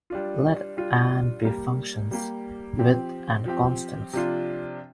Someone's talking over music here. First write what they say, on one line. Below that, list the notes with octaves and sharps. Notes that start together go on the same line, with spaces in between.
Let and be functions, with and constants.
G3 D4 F4
G3 D4 F4
G3 A#3 G4
G3 A#3 G4
F3 C4 G4
F3 C4 G4
C3 F3 D4 F4